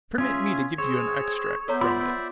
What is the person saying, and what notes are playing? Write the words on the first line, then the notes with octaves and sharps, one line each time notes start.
Permit me to give you an extract from it.
C#4 F4 G#4 E5 G#5
C4 G#4 C#5 E6
B3 A4 C5 C#5 E5 A#5
F4 C5 D5 E5 B5 C6 E6